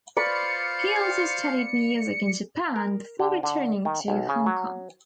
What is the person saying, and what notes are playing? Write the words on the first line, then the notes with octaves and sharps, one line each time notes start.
He also studied music in Japan before returning to Hong Kong.
F4 C5 D5 F5 B5 C#6 C#7
A#4
D3
D3
D#3
B1
C#3
F#3